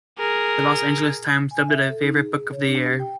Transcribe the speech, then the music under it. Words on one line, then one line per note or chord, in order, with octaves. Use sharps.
The "Los Angeles Times" dubbed it a "favorite book of the year".
G#4 A#4
G#5
E5
A4
D#4
G#4
C#5
D4
G4
G5